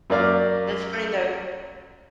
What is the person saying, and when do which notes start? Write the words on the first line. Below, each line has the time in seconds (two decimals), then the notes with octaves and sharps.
That's funny, though.
0.10 F#2 A#3 D5 F5